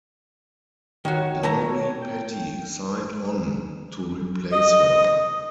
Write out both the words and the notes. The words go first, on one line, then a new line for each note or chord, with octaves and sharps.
Lori Petty signed on to replace her.
D#3 F#4 C#5
A3 A5 A#5
G5
D#5